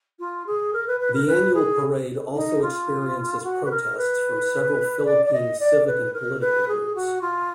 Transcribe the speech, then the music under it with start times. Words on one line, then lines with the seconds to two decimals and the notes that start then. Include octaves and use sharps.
The annual parade also experiences protests from several Philippine civic and political groups.
0.19 F4
0.46 G#4
0.73 A#4
0.87 B4
1.00 B4
1.13 A#4
1.26 B4
1.54 G#4
2.35 D#4
2.62 F4
3.43 F#4
3.65 B4
3.70 A#4
3.97 B4
5.05 D5
5.25 D5
5.33 D#5
5.59 D5
5.86 B4
6.13 A#4
6.40 B4
6.68 G#4
6.95 F#4
7.21 F4